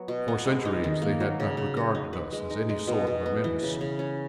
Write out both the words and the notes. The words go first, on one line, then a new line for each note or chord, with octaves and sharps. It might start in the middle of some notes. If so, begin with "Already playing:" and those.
For centuries they had not regarded us as any sort of a menace.
Already playing: F#3 B3
B2
B3
G#3
D#4
D#3
A#3
F#3
C#3
C#3
F#4
D#4
B4
G#3
D#4
G#3
B2
B2
B3
E3
C#3
C#3
C#4